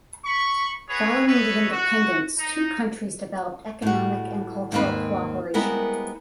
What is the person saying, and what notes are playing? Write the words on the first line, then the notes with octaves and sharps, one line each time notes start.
Following the independence two countries developed economic and cultural cooperation.
B5 C#6
F#4 G#4 B4 C#5
A4 B4 C#5 D#5 E5
F#4
D#4
A2 F#4
D#2 G#2 A#3 C4 B4
G3 G#3 B3 C4 E4 A#4